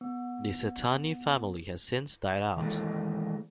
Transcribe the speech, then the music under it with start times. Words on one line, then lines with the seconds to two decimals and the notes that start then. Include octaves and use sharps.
The Caetani family has since died out.
0.01 B3
2.57 D#3 E3 G#3 A#3 A4 C5